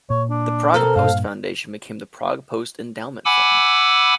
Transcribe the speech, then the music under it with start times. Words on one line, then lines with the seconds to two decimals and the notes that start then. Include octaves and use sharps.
The Prague Post Foundation became The Prague Post Endowment Fund.
0.10 A#2 C#5
0.30 D4
0.74 B2 C4 A4 A#4
0.96 G2 A#2 F5
3.25 F#5 G#5 B5 D6 E6